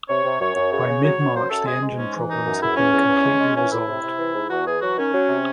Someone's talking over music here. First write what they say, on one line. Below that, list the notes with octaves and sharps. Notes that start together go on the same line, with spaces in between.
By mid-March, the engine problems had been completely resolved.
C3 C#5
C3
F#2 C#5
F#2
C#3 C#5
C#3
F#3 C#5
F#3
F#2 C5
F#2 A4
G#3 G#4
G#3
G#2 C#4
E3
F#2 D#4
F#2
E2 E4
E2 C#4
E2
E2
G#3
G#3
E3 C#4
A2 E4
C3
C3
E3
G#2
E2 F#4
E3 G#4
F#3 F#4
D#3 C#4
F#3
C3